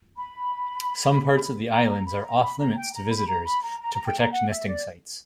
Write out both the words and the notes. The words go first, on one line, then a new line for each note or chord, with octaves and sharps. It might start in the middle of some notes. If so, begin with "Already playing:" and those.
Some parts of the islands are off limits to visitors to protect nesting sites.
B5
A#5
A#5
B5
A#5
B5
A#5
G5
A#5
B5
A#5
B5
A#5
A#5
A#5
G5
A#5
F#5
E5
D5